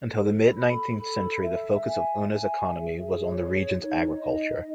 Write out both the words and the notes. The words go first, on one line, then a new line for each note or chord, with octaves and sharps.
Until the mid-nineteenth century the focus of Unna's economy was on the region's agriculture.
A4
B5
A4
E5
G#5
E5
G#4
C#5
D#4
D#5
D#4